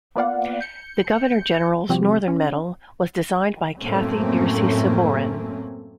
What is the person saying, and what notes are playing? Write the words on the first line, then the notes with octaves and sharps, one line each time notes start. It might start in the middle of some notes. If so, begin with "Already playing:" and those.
The Governor General's Northern Medal was designed by Cathy Bursey-Sabourin.
A#3 B3 F4 D5 F5 F#5
G6 C#7
C3 F3 G3 C4 F#4 G4
C#4
F#2 A2 A3 A#3 C4 C#4